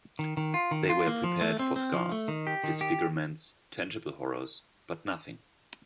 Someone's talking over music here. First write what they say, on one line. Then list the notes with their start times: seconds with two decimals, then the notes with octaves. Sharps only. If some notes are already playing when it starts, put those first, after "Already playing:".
They were prepared for scars, disfigurements, tangible horrors, but nothing!
0.19 D#3
0.37 D#3
0.54 F4
0.71 D#3
0.89 F4
1.07 A#3
1.24 F3
1.41 A3
1.59 C4
1.76 C4
1.93 F3
2.12 A3
2.28 D#3
2.47 G4
2.64 D#3
2.81 G4